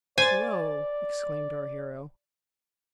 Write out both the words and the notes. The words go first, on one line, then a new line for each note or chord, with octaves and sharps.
"Hello!" exclaimed our hero.
C5 D5 G#5 A6